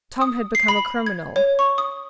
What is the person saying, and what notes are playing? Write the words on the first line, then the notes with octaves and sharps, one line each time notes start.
Tom had become a criminal.
D#6
C7
B5
G#6
C#5
C#6
D#6